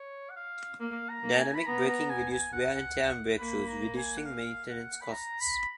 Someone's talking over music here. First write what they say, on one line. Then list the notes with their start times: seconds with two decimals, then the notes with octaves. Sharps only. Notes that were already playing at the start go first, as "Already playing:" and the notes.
Dynamic braking reduced wear and tear on brake shoes, reducing maintenance costs.
Already playing: C#5
0.30 F#5
0.36 F5
0.80 A#3 F5
1.09 A#5
1.23 A#3
1.37 G#5
1.54 B5
1.66 B3 A#5
1.88 A#5
2.10 G#5
2.31 G#5
2.53 F#5
3.39 A#3 B5
3.67 A#5
3.97 G#5
4.17 F#5
4.25 F5
4.69 F#5
5.01 B5
5.11 A#5
5.40 B5